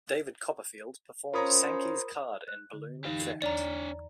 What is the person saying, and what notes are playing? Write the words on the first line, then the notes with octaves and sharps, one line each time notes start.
David Copperfield performed Sankey's card in balloon effect.
C#4 F4 A#4 C5 C#5 A#5 B5 D#6
F#6
D3
E3 D#4 G4 F5
E2 D4 C#5 D5 A#5